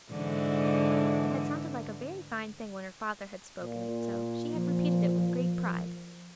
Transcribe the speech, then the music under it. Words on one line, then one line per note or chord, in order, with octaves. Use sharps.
It had sounded like a very fine thing when her father had spoken it, so she had repeated it with great pride.
G#2 D3 E3
A#2
F3